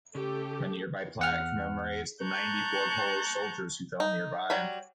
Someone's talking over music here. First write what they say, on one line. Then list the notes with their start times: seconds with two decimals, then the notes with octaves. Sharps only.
A nearby plaque commemorates the ninety-four Polish soldiers who fell nearby.
0.15 C#3 A3 G4 A4
1.19 E2 F#5 F6
2.23 A5 A#5 C#6 F#6 G6
4.00 D#4
4.50 F#3 G3 B5